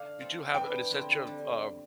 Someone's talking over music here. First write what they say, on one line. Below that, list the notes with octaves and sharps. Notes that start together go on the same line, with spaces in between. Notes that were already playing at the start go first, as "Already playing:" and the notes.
you do have an essential, um,
Already playing: D3 A3 D4 F5
F3 C4 F4 A4
E3 B3 D4 G5
D3 F3 C4 E4
D3 G3